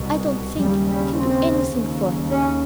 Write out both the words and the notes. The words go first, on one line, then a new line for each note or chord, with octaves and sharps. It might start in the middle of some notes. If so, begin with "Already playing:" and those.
"I don't think--we can do anything for him."
Already playing: C2 B2
D#2 C#3 G3
G3
C4
D#2 C#3
C#4